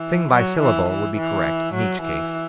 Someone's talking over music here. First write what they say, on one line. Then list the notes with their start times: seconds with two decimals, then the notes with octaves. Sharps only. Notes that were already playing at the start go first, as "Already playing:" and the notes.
"Sing by syllable" would be correct in each case.
Already playing: E3
0.32 F#3
0.60 E3
0.89 E3
1.17 E3
1.75 F#3
2.02 E3